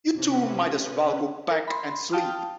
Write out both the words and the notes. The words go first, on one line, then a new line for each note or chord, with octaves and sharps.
You two might as well go back and sleep.
C3 C#4 B4
A#4
B5 C6
F5 G5 A5 D#6 F6